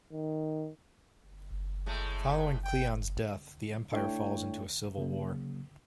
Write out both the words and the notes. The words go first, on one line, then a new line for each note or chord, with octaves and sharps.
Following Cleon's death, the Empire falls into a civil war.
D#3
A2 G#3 A3
G5
A3 D4 E4 C#5 G5
C#3 F#3 A#3